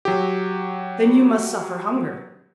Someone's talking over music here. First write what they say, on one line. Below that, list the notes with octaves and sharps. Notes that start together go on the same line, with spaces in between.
"Then you must suffer hunger."
F#3 G4